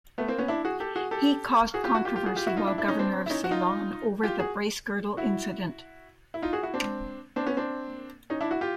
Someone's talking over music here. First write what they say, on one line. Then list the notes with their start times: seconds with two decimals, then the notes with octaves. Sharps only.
He caused controversy while Governor of Ceylon over the Bracegirdle Incident.
0.18 A3 B3
0.28 A#3 C4
0.38 B3 C#4
0.48 D4 E4
0.65 F#4 G#4
0.80 G4 A4
0.96 F#4 G#4
1.11 G4 A4
1.74 F#4 G#4
1.84 F4 G4
1.95 E4 F#4
2.05 F4 G4
2.16 F4 G4
2.26 F#4 G#4
2.36 F4 G4
2.47 E4 F#4
2.57 D#4 F4
2.67 D4 E4
2.78 D4 E4
2.88 C#4 D#4
2.99 C4 D4
3.26 E4
3.30 C#4 D#4
3.44 F#4
3.51 D#4 F4
4.23 F4 G4
4.39 F#4 G#4
5.17 E4 F#4
6.34 E4
6.42 D#4 F4
6.53 F#4 G#4
6.63 E4 F#4
6.74 C4 D4
7.36 C4 D4
7.46 B3 C#4
7.57 C4 D4
8.30 C#4 D#4
8.41 D4 E4
8.51 E4 F#4
8.61 F4 G4